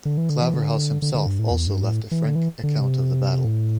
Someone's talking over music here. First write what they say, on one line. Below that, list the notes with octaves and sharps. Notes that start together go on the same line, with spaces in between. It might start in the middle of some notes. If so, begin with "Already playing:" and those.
Claverhouse himself also left a frank account of the battle.
D3
E3
D3
E3
D3
D3
D3
G2
A2
E2
G2
A2
E3
D3
E3
D3
C3
A2